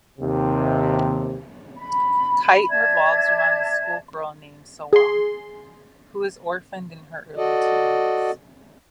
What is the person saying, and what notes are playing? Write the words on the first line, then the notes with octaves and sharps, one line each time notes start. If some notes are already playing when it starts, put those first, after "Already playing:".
"Kite" revolves around a schoolgirl named Sawa who is orphaned in her early teens.
D#2 C3
B5
D5 E5 A5 G#6
G#4 C6
F#4 A4 D5 D#5